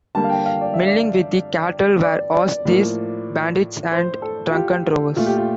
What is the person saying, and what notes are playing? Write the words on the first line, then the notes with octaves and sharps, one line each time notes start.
Milling with the cattle were horse thieves, bandits and drunken drovers.
D3 G3 A#3 A5
F5
G5
F5
D5
E5
D5
D5
D5
A2 F3 A#3
C5
A4
F4
G4
A#2 A3 F4
G4
F4